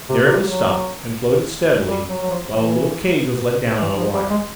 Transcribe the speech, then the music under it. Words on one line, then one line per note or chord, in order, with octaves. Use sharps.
There it was stopped, and floated steadily, while a little cage was let down on a wire.
C3
C3
F#3
G3
F#3
F#3
F3
E3
E3
F3
G3
G#3